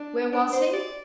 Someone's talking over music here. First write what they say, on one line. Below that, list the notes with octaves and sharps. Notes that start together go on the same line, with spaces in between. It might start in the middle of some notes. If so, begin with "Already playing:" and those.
Where was he?
Already playing: D4
D4
C5
D5